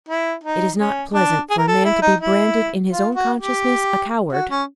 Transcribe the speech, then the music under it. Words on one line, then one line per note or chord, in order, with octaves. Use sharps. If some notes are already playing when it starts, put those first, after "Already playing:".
It is not pleasant for a man to be branded, in his own consciousness, a coward.
E4
D#4
C#4
D4
G#4
A#4
A4
E4
D#4
E4
F4
F#4
G4
F#4
C#4